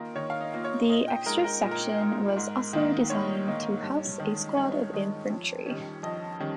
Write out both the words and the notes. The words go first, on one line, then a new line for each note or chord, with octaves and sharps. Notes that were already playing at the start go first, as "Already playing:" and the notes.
The extra section was also designed to house a squad of infantry.
Already playing: D#3 A#3 F4 A#4
D#3 C#5
F5
D#5
A#3 F4
C#5
A#2 D#5
G5
G#3 D#4 A#4
A#4
A#2
A#4
G#3 D#4
G#2
D#3 A#3 D#4
G#2 C#5
D#3 A#3 D#4
G2
D#3 G#3
G2 C#5
D#3 G#3
F2
D#3 G3 C#4
F2 D#5
D#3 G3 C#4